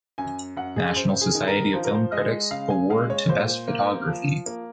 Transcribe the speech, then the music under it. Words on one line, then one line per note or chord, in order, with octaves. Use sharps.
National Society of Film Critics Award to best photography.
F#2 G#5
F#2 F#5
G#4
F#2 C5
G#4
D#3
A#4
F3 C5
A#4
C5
G#3 D#5
C#3 F5
G#5
G#3 F5
C#5
A#2 C5
A#3
F3
A#3